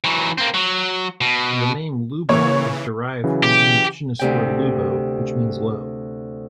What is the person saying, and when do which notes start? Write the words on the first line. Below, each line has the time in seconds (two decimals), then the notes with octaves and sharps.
The name Lubao was derived from the indigenous word "lubo" which means low.
0.04 E3 F#3
0.38 A#3 C4
0.54 F#3
1.21 B2
2.29 C#3 E3 A#3 C#5
3.24 C#3 E3 F#3
3.43 G4
4.19 D2 C3 G5